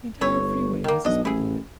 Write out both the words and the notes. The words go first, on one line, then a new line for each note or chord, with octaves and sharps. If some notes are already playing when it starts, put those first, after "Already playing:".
The entire freeway has a speed limit.
G1 A3 E4 C#5
D#3 A#3
B1 D4 D#5
A1 E4 G#4